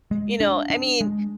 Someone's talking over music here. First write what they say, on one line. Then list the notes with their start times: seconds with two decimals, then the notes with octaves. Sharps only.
you know I mean,
0.11 G#3
0.40 D4
0.70 D4
1.01 G#3